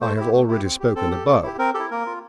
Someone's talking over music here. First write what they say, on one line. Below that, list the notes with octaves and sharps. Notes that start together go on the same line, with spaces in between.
I have already spoken above.
A3 C5
E4 G4
A3
E4 G4
C4
G4
C4 A4
G4
C4
E4 G4
C4 A#4
G4 A4
E4
A#3 A#4
F4